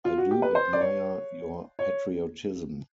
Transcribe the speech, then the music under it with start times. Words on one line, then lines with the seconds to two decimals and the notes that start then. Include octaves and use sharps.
I do admire your patriotism.
0.05 F4
0.18 F#4
0.31 G4
0.42 B4
0.55 C5
0.73 D5
0.81 C#5
1.79 C#5